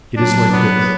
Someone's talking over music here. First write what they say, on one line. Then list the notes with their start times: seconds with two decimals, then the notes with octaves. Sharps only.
It is like this.
0.15 F#3 D4
0.52 B3